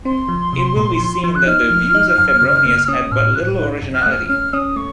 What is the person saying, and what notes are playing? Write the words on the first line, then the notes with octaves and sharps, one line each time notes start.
It will be seen that the views of Febronius had but little originality.
C4 C6
F3
C3
A#2
F3
F3
F#6
D#4 F6
F3
D#4
F#2
C#3
A#3
C#4 D#6
A2 F6
A2 F#6
D#4
F#2
F6
F#6
A3 F6
C#4 F6
C#4 D#6
A3 C#6